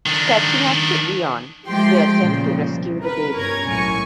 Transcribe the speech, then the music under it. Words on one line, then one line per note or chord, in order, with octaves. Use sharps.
Catching up to Eon, they attempt to rescue the baby.
D#3 D4
F3 G#3 A3 G4 G5 C6
A#2 C#3 F3
C2
A#4 B4
G1 C#4 A#4 A#5 G#6
B1 A2 G#5 C#6